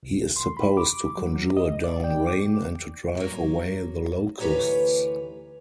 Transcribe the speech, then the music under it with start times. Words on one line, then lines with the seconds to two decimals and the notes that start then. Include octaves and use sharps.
He is supposed to conjure down rain and to drive away the locusts.
0.03 C2
0.36 C6
0.57 B5
0.77 D6
1.17 F#3
1.57 D#5
1.84 D5
2.04 G5
2.27 D6
3.17 F#3 A#3
4.39 D2 E3 G4 B4 C#5 A#5